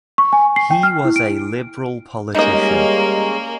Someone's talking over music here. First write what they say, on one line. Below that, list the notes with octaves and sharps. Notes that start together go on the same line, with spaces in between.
He was a Liberal politician.
C#6
G#5
C7
G5
F6
E4
D7
G3 G#3 A#3 C#4 D#4 D#5